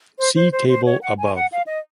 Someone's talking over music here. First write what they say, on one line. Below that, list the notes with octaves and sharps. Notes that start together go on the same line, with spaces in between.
See table above.
C5
C5
C5
C5
C#5
F#5
G#5
F#5
F5
D#5